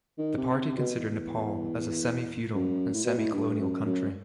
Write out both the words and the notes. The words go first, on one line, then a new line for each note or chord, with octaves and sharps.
The party considered Nepal as a semi-feudal and semi-colonial country.
D#3
C3
C3
B2
E2
F#2
A2
B2
A2
G2
F#2
F#2